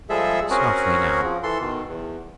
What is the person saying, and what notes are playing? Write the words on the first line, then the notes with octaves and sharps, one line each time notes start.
Softly now.
F3 G3 G#3 G#4 A4 E5
C4 C#4 F#4 G#4 A#4
F3
E3 A4 C6
B2 D#3
E2